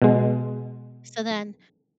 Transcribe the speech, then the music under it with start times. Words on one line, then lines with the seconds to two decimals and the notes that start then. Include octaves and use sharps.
So then
0.02 B2 G#3